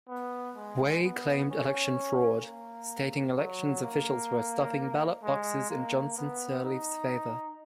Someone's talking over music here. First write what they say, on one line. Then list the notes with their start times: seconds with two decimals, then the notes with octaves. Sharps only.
Weah claimed election fraud, stating elections officials were stuffing ballot boxes in Johnson-Sirleaf's favor.
0.09 B3
0.56 G#3
1.03 B3
1.50 C#4
2.43 A#3
3.37 F#3
3.83 A#3
5.23 G#3
5.70 A#3
6.17 B3
6.64 D#4